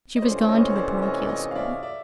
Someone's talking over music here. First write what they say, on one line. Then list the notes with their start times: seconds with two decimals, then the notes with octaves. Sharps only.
She was gone to the parochial school.
0.16 D#5
0.22 C3 E3 A3 C#4 F4 C5 D5
0.49 C#5 D#5
0.61 C5
0.68 C#5
0.76 C5 D5
1.02 C#5 D#5
1.20 D5
1.29 C#5 D#5
1.51 F5
1.56 D5 E5
1.83 D5 E5